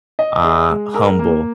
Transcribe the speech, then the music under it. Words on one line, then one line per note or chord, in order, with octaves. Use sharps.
uh, humble
D#5
G#4
G#3
A#4
A#3